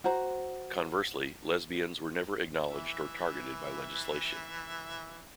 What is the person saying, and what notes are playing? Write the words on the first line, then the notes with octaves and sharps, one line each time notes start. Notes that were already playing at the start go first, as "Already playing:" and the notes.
Conversely, lesbians were never acknowledged or targeted by legislation.
F#4 C5 A#5
E3 E5